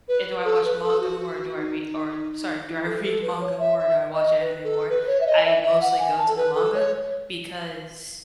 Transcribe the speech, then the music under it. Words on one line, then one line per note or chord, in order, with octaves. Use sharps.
eh, do I watch manga more, or do I re or sorry, do I read manga more, do I watch anime more? I mostly go to the manga, because
B4
A4
B4
A4
F#4
F#4
D#4
E4
A4
A4
B4
C#5
E5
E5
D#5
B4
A4
B4
C#5
E5
D#5
E5
E5
F#5
G#5
A5
A4
B4
A4
C#5